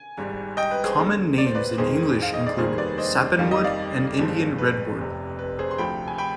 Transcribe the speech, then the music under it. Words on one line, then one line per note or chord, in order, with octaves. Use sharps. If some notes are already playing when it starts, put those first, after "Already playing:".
Common names in English include sappanwood and Indian redwood.
Already playing: G#5
G#1 G#2 G3
D#5 G5
B4
G#4 C5
D#2 D3 G#3
D5
C5
B4 D5
F2 D#3 G#3 G#4 C5
F5
D#5
D5
F1 D#2 D#3 G3 G#4 C5
B4 D5
C5 D#5
F2 D#3 G3 F5
D#5
D5 F5
G1 G2 F3 G#3
B4
F1 F2 C3
B4
G#4 C5
C6
D2 C3 F3 G5 B5
G#5
G5 B5